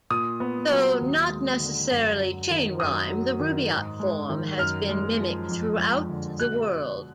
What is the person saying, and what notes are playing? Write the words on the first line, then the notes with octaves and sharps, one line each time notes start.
Though not necessarily chain rhyme, the Rubiyat form has been mimicked throughout the world.
A#2 D#6
B3
F#3
D#2
G#3
D3
F#2
F#3
D#3
F#2 D#6
F#3
D#3
G#2
G#3
D#3
F#2 F6
G#3
F3
F2
G#3
D3
B2 F#6